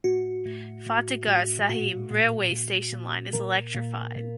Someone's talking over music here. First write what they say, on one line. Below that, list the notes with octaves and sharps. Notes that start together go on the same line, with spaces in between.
Fatehgarh Sahib railway station line is electrified.
A2 F#4
A2
A2
A2
A#2 F#4
A#2
A#2
A#2
A#2 A#4
A#2
A#2